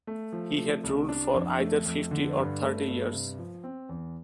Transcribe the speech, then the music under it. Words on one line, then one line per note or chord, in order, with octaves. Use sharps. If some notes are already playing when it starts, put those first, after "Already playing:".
He had ruled for either fifty or thirty years.
A3
F3
A3
C2
D4
F2
A3
F2
D3
G2
A3
G2
C3
F3
C4
E2